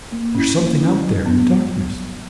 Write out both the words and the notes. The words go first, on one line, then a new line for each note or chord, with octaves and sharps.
"There is something out there in the darkness."
A#3
C#4 E4
A#3
C#4 E4
F#3
B3 D4
F#3